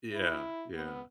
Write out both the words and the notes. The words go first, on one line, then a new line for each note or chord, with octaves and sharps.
Yeah, yeah.
E4
B3